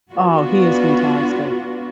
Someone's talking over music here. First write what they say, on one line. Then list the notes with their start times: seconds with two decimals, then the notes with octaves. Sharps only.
Oh, he is fantastic.
0.12 B3 D4 F4 F#4